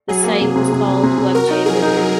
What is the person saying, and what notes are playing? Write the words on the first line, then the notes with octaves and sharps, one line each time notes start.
This site was called "Webjay Wizard".
F#3 G#4
A#3
C3
C3
C3
C3
C3
C3
F#4 A#4
D#4
F#3 G#4
D#4
F#3